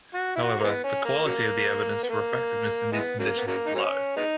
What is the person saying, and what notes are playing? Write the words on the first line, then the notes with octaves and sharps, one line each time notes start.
However, the quality of the evidence for effectiveness in these conditions is low.
F#4
E4
F#4
A#3
E3 G#3 B3
C#4
A#3
C#3 F#3 A#3
B3
A#3
E3 G#3 B3
C#3 F#3 A#3
B3
C#3 F#3 A#3
D#4
F#3 A#3 C#4
G#3 B3 D#4